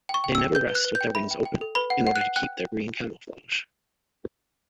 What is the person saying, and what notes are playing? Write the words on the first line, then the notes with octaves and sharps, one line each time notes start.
They never rest with their wings open, in order to keep their green camouflage.
G5 C#6
G5
E6
G5
B4 G6
B4
F#6
B4
G6
G5
E5 B5
G5
G5
A4
B4 B5
F#5
F#5
F#6
F#5
G5 F#6